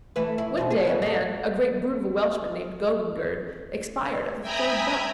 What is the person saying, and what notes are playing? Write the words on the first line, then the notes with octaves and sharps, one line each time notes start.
One day a man, a great brute of a Welshman named Gogangerdd, expired at the third butt.
E3 A3 B4
E4
E2 B2 C4
G#4
C#3 B3 C#4
G#2 A3
E5 G5 G#5 A#5 B5 D#6